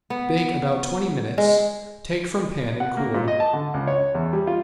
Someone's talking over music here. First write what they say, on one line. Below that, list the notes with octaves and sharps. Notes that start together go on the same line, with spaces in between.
Bake about twenty minutes, take from pan and cool.
B3
G#3
F#5
A#3
A#2
D#5
A5
D3
C#2
C#5
E2
G3
F4